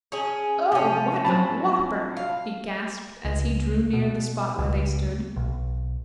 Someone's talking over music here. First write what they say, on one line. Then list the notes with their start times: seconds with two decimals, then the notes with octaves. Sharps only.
"Oh! what a whopper!" he gasped, as he drew near the spot where they stood.
0.12 C#4 G#4
0.72 C3 F3 C#4
1.24 F#3 C4 D4 A5 B5
2.17 F5
3.25 C#2
3.93 B2
4.59 C#2
5.36 B1